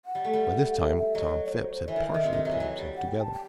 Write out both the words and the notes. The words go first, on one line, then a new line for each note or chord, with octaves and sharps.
By this time Tom Phipps had partially pulled himself together.
F#5
G3
A3
G3
E5
E5
F#3 D#5
C5
E3 E5
D#3
D#3
C3
D#3
F#3
E3
F#3
G3
F#5
G5
A5
G5